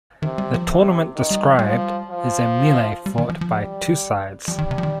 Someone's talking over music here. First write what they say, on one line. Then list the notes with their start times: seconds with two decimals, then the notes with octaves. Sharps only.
The tournament described is a melee fought by two sides.
0.22 C3 D#3
0.38 G3
0.54 F3
0.69 C3
1.16 D#3
1.31 G3
1.45 F3
1.59 G3
1.64 F3
2.11 F3
3.06 G3
3.18 D#3
3.30 F3
3.41 F3
3.52 G3
4.47 F3 G3
4.58 D#3
4.71 C3
4.78 F3
4.83 D#3